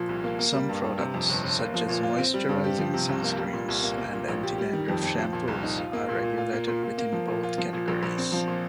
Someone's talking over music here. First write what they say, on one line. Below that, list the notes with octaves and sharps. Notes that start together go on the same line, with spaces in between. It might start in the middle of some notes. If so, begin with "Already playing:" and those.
Some products, such as moisturizing sunscreens and anti-dandruff shampoos, are regulated within both categories.
Already playing: A#2 F3
C2
A#3
A#3
G3
G2
G2
C3
F2
G1
G1
A#3
F3
A#2
F4
C4
G3
G2
G4
F3
C3
C2
A#3
G3
A#2
C2
A#3
A#3
A#2
A#1
G4
G3
D#3
F2
F2
F3
A#2
C2
D#4
F4
A#3
A#2
A#2
F4
A#3
A#2
A#2
A#3
F3
A#2
F4
F3
A#2
A#1
A#1
C4
F3
A#2